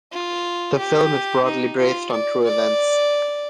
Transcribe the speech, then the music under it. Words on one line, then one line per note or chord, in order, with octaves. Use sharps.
The film is broadly based on true events.
F4
G4
D#4
F4
D5
D5